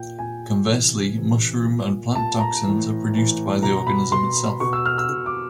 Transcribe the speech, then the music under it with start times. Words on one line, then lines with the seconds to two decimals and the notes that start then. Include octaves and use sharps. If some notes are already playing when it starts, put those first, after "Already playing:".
Conversely, mushroom and plant toxins are produced by the organism itself.
Already playing: A#2 G5
0.19 A#2 G#5
0.68 C3 E3
1.17 C3 E3
1.66 A#2
2.15 A#2 A5
2.40 A#5
2.64 E3
2.69 A2
3.14 A2 E3
3.62 B2 A#5
3.87 B5
4.12 B2 C6
4.60 B2 C#6
4.73 E6
4.86 F6
4.98 E6
5.09 B2
5.26 D6